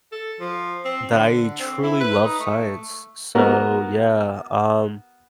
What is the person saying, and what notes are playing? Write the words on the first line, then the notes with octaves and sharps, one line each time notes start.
that I truly love science, so, yeah, um
A4
F3
C4
D3
C4
E4
B4
D#4
A3
B3 F#4 A#4